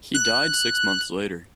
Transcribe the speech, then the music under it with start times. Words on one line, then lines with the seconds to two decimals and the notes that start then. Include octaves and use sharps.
He died six months later.
0.14 F#6